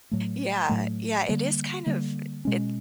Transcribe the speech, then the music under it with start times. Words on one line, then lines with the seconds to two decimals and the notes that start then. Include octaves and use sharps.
Yeah, yeah, it is kind of it
0.11 A2 F#3 A3
0.69 A2 F#3 A3
1.29 D3 G3 A#3
1.86 D3 G3 A#3
2.45 B2 G#3 C#4